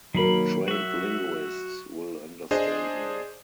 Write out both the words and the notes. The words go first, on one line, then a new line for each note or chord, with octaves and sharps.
Trained linguists will understand me.
D#3 F#3 A#3 A#4 B5
F#4 E5
D4 G#4 C5 D#5